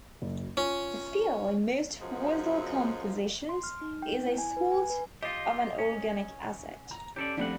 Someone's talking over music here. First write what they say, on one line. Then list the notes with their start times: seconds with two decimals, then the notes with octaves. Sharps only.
The fuel in most whistle compositions is a salt of an organic acid.
0.22 F#1
0.57 C#4 F4
2.01 F#2 F3 G#3 F#4
3.49 C6
3.63 F6
3.81 D#4
4.02 G5
4.26 E4
4.38 G#5
4.57 B4
4.72 G#5
4.90 B4
5.23 F4 G4 D#5
5.79 C#4
6.91 A#5
7.16 C#4 G4 A4 D5
7.37 F3 G3 A3 C4 D4 F#5